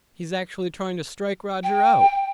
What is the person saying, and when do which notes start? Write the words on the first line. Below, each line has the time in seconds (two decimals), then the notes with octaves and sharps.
"He's actually trying to strike Roger out!"
1.63 G5